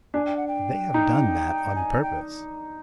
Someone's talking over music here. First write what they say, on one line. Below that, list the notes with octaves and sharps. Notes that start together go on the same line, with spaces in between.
They have done that on purpose.
D4 G#5
G5
F#5
G5
D#4
G#5
G5